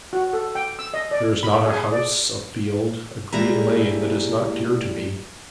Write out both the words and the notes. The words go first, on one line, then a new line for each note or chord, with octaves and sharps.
There is not a house, a field, a green lane, that is not dear to me.
F#4
A4
G5
E6
D#5
D5
B5
G#4
D5
A2 G3 G#3 A#3 E4 A#5